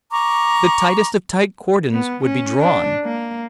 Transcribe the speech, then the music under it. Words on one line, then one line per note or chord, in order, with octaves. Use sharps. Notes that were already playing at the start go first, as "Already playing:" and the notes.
The tightest of tight cordons would be drawn.
A#5 C#6 D6
B3
C#4
D4
A#3